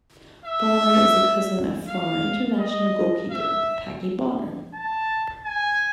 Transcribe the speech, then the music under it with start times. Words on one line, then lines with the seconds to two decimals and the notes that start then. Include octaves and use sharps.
Bonner is a cousin of former international goalkeeper, Packie Bonner.
0.45 E5
1.89 F5
2.59 D#5
3.31 E5
4.74 A5
5.45 G#5